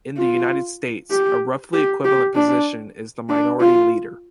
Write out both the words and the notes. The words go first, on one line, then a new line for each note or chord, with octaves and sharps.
In the United States, a roughly equivalent position is the minority leader.
F4
G4
G4
G4
D4
D4
F4